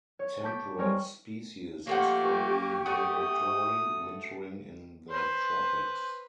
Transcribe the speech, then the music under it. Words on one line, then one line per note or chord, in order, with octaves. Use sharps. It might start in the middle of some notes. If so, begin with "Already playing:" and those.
Temperate species are strongly migratory, wintering in the tropics.
C#5
A5 C#6 D6 G6 B6
G3 G#3 A#4 C5 C#5 C#6
F3 A3 A#3 G4 F#5 C#6
A3 F#4 D#6
B4 C5